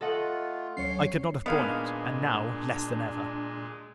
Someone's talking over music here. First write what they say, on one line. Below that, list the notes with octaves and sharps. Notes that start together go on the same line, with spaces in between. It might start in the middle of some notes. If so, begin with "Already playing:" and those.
I could not have borne it; and, now, less than ever.
A3 F4 A4 D#5 F#5
D2 F#3 C#4 C#5 C7
A#2 D#3 G#3 B3 D4 G#4 F5